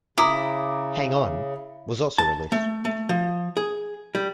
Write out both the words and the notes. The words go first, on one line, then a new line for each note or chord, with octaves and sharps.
"Hang On" was also released.
C#3 E4 A#5 D6 D#6
A5
A3
A3
F3
G#4
G3